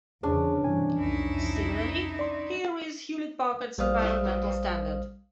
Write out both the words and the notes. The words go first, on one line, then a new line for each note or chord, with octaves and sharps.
Similarly, here is Hewlett-Packard's environmental standard.
E2 C#3 E3 C#4 D4 G#4
G2 C3 E3 G#5
C2 F2 D#4 E4
D5 C6
A#1 G3 C5 F5 D#6 F6